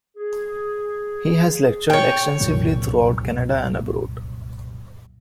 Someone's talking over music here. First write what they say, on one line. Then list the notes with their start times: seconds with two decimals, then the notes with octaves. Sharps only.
He has lectured extensively throughout Canada and abroad.
0.17 G#4
1.90 C#5 G5
2.40 C2 F#2 A#2